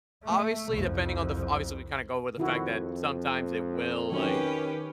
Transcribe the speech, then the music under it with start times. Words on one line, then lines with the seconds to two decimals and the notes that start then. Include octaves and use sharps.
Obviously, depending on the f obviously, we kinda go with the fact that sometimes it will, like,
0.23 A3
0.71 C2 F2
2.38 F2 D#3 E4 F#4
4.12 D#3 F#3 C#4 G4 B4